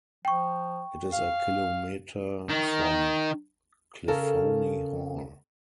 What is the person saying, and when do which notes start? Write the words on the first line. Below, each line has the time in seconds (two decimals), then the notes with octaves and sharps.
It is a kilometer from Cliffoney Hall.
0.25 F3 G5 C#6
1.13 F5
2.49 D#3
4.08 C#3 A4 A#4